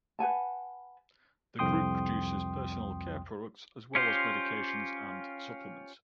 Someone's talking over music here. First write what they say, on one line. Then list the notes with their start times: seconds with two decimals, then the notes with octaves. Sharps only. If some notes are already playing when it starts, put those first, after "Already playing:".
The group produces personal care products as well as medications and supplements.
0.19 B4 F#5 G#5 A5
1.59 C2 F2 G5 C6 D#6
3.95 C#4 F4 G4 C5